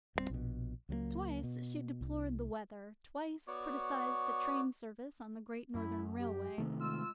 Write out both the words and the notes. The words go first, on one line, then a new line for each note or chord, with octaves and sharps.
Twice she deplored the weather, twice criticized the train service on the Great Northern Railway.
D1 G2 G3 C4
A#1 B2
C#2 F#3 G3 A#3
B2
C2
B3 F#4 C#5 D5
F#2 E4
G4
C3 D#3 A3
G#3 F4 E6